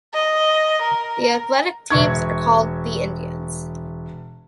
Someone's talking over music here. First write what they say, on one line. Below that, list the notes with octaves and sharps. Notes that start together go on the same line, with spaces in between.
The athletic teams are called the Indians.
D#5
A#4
E1 E5 C#6 G#6